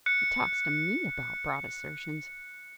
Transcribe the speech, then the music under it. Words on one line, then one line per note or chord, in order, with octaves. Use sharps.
He talks to me about broad assertions!
F#6 C#7